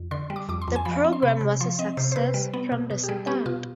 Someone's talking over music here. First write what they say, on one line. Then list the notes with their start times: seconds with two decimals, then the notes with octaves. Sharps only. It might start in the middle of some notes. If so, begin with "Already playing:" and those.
The programme was a success from the start.
Already playing: F2
0.11 D3 C6
0.30 G3
0.36 D6
0.49 F2 D6
0.62 C6
0.68 F2
0.76 G#5
0.85 F3 B5
1.04 C4
1.13 C6
1.22 C3 B5
1.41 C3
1.60 F3 C6
1.79 C4 D#5
1.97 C3 C5
2.12 C5
2.16 C3 B4
2.34 G3
2.53 B3
2.72 B2
2.91 B2
3.03 G4
3.08 G3 G#4
3.27 B3 G4
3.46 B2 F4